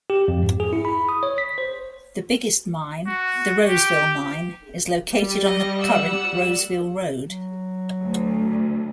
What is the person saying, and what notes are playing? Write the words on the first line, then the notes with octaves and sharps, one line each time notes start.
The biggest mine, The Roseville Mine, is located on the current Roseville Road.
G4
F2
G#2
G#4
E4
B5
D#6
C#5
B6
C5
F#4
G4
G3
D#5
F#5 E6
F#3
D2